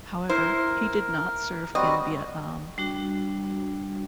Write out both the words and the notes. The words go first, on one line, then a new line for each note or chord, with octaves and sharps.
However, he did not serve in Vietnam.
E4 A#4 C5
G3 C4 F#4 D#5
G3 D4 F#4